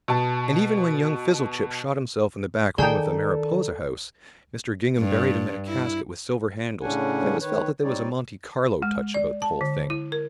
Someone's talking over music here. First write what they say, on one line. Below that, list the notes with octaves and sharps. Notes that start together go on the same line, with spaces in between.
And even when young Fizzlechip shot himself in the back room of the Mariposa House, Mr. Gingham buried him in a casket with silver handles and it was felt that there was a Monte Carlo touch about the whole thing.
B2 A5
D#3 G#4 A4 D5 G5 A5 A#5
G2
E4
A2 C#3 C#4 D4 F#5 G#5
D#3 B4 C#5
G3 C4 D#4 C#5 D5
G#3
D5
A5
D3
E4
A#4